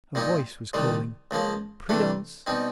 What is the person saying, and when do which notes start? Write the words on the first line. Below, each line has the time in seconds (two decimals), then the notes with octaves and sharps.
A voice was calling, "Prudence!"
0.15 A#2 G3 A#3 D#4
0.73 C2 C3 D#3 G3
1.31 C#2 C#3 F3 A#3
1.89 C3 E3 A3 D4
2.47 B2 G3 C4 D#4